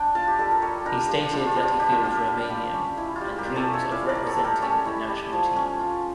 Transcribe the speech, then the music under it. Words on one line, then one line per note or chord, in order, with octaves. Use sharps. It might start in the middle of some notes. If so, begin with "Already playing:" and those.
He stated that he feels Romanian and dreams of representing the national team.
Already playing: D4 G5
F4 F5 A5
G4
G3 A4
A#4
G3 A4 C#5
D4 G4 A#4
F4 G4
G3 F4 A4
F4
G3 G4
D4 G4
F4
F4 G4
G3
G3
C#4
E4
F4
G3 G4
G4 A#4
G3
A4 C#5
C#4
C#5 E5
E4 D5 F5
A#4 D5
G3
A4 C#5
G3 A4
G4 A#4
C#4 A4 C#5
E4
G3
F3
C#4
F4